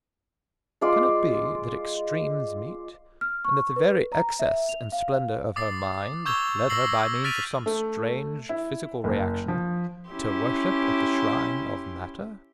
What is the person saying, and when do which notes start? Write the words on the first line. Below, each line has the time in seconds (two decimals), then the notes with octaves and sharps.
Can it be that extremes meet, and that the very excess and splendour of her mind led her by means of some strange physical reaction to worship at the shrine of matter?
0.81 G#3 F4 D5 C6
3.21 F6
3.45 C#6
3.76 B4
4.12 A#5
4.39 E5
4.69 F7
4.92 F5
5.56 D6 D#6 A6 C7
6.26 C#6 E6 G6 G#6 F7 G7
6.69 C#6 E6 A#6 C7 F#7 G7
7.24 F6 A6 B6 D7 D#7 F7
7.66 A3
8.49 E4
9.04 F#1
9.48 F3
10.10 C#4 E4 G4 C6